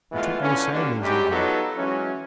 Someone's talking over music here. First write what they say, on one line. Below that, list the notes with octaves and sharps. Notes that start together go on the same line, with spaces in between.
You took no soundings even.
E3 G#3 A3 B3 F4
D3 E3 C#4
D3 F#3 G3 A#3 D4
F#2 G3 G#3 G4
F#3 B3 D#4 F4 A4
E3 F#3 G#3 C#4